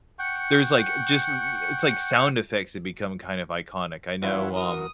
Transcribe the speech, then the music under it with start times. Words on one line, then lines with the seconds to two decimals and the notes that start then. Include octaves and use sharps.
There's, like, uh, just, eh it's like sound effects that become kind of iconic. I know, um,
0.19 F#5 G5 C#6
4.22 F#2 E3 F4 B4 C#5 E5 F#5
4.56 F#4 A#4 D#6